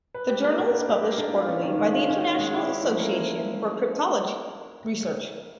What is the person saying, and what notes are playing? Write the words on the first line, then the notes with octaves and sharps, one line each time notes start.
The journal is published quarterly by the International Association for Cryptologic Research.
B4
G4
A#3
D4
B4
G4
A#3
D4
F4
C#4
D#3
G#3
F4
C#4
D#3
G#3
E4
C#4
F3
A#3